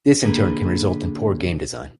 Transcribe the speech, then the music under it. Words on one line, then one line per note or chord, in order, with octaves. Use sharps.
This in turn can result in poor game design.
D3 A#3 G#4 B4